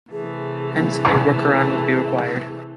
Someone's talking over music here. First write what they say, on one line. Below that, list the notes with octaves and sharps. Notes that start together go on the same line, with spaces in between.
Hence, a workaround would be required.
C3 E3 A3 G#4